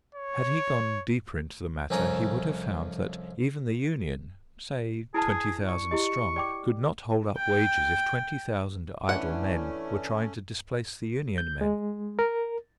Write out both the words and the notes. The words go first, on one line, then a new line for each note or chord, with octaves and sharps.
Had he gone deeper into the matter, he would have found that even the union, say twenty thousand strong, could not hold up wages if twenty thousand idle men were trying to displace the union men.
C#5
C2 F2 C#4 A#5
E4 G#4 B4 A5
D5 C#6
E4 G4 D#5
D5 G5 D6
G5
E3 A3 C#4 D4 F#5
G6
G#3
A#4